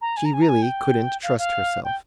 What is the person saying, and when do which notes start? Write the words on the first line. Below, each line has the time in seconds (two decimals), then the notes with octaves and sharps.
She really couldn't trust herself.
0.01 A#5
0.16 G#5
0.25 A#5
0.33 G#5
0.41 A#5
0.48 G#5
0.62 G5
1.23 F5
1.38 F5
1.84 G5